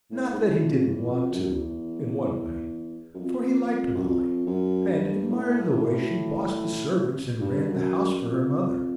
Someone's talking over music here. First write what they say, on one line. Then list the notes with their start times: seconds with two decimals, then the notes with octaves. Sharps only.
Not that he didn't want to, in one way; for he liked Molly, and admired the way she bossed the servants and ran the house for her mother.
0.11 A2
0.33 G#2
0.38 A2
0.66 F2
0.88 E2
1.08 F2
1.30 F#2
1.51 E2
3.14 F#2
3.19 F2
3.93 F#2
4.04 F2
4.46 F#2
4.88 G2
5.30 A2
7.41 G2
7.69 F#2
7.97 F#2
8.18 F#2
8.25 F2